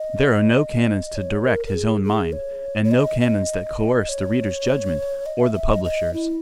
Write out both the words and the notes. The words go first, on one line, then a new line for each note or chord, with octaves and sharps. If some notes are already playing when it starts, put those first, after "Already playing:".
There are no canons to direct his own mind, and no canons that coerce the reader's judgment or the publisher's.
Already playing: D#5
C#5
A#4
A#4
G#4
G#4
C#5
C#5
D#5
D#5
C#5
D#5
E5
E5
D#5
D#5
E4